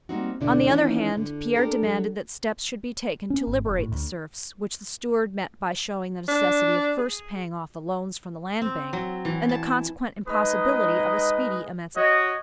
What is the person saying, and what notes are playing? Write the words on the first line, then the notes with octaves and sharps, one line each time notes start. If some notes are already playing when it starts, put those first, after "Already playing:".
On the other hand, Pierre demanded that steps should be taken to liberate the serfs, which the steward met by showing the necessity of first paying off the loans from the Land Bank, and the consequent impossibility of a speedy emancipation.
G3 A#3 C4 D#4 F#4
D2 B2 D3 D4 E4 D5
D#3 E3 B3 C#4 D#4 E4
D3
D4 G4 A4 A#4
F#3
C#4
G#1
E1
A2
D2
D4
G#4
C4
F#3
E3
A5
G#3 D#4 B4 D#5 D#6
F#4 C#5 D#5